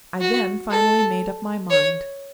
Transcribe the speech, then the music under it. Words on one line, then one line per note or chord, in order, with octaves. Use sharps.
I then finally made up my mind.
F#4
A4
C#5